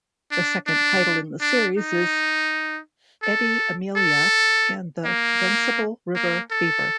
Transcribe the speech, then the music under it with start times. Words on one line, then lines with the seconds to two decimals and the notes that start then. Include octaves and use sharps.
The second title in the series is "Edie Amelia and The Runcible River Fever".
0.31 D4
0.67 D4
1.41 D4
1.78 D#4
3.23 A4
3.96 A4
5.05 A#3
6.15 A#3
6.51 A4